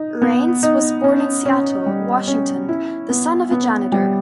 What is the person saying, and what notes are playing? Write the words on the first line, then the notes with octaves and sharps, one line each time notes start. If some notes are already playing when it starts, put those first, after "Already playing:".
Raines was born in Seattle, Washington, the son of a janitor.
Already playing: D#4
B3
D#4
C#4
C#4
G3
C#4
E4
B3
B3
G3